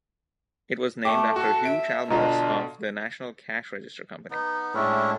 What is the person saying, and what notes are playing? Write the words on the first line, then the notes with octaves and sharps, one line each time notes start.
It was named after Hugh Chalmers of the National Cash Register Company.
A3 G5 C#6 D6
F#4 A4
E5 D7
B2 D3 F4 D#5 A#5
B3 D#4
A2 G#3 C#4 D4 E4